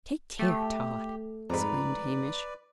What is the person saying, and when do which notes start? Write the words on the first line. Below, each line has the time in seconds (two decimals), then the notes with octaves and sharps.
"Take care, Tod!" exclaimed Hamish.
0.39 A3 G4
1.50 F2 G#2 B4 D5 A#5 B5